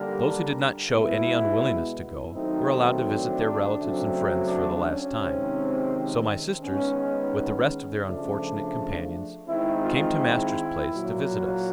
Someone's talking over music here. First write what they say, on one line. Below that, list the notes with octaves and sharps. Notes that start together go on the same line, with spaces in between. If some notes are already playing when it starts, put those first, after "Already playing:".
Those who did not show any unwillingness to go were allowed to visit their relatives and friends for the last time. So my sisters, with the rest of their unfortunate companions, came to master's place to visit us.
Already playing: D3 G3 A#3 A#4
B2 G#3 B3 E4
D#3 F#3 A3 C4 D#4
D4
C#3 F#3 A3 C4
D4
C#4
C3 D#3 G#3 C4
D#3 G#3 B3 C#4
C#3 F3 A3 D4
D#3 G#3 C4 E4
F4
E4
A#2 F#3 A#3